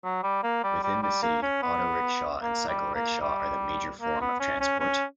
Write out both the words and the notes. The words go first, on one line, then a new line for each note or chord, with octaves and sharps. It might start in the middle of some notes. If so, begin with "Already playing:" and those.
Within the city, auto-rickshaw and cycle rickshaw are the major form of transport.
F#3
G3
A#3
G3
G3
G3
A#3
C#4
B3
A#3
G3
A#3
G3
A#3
B3
C#4
C#4
C#4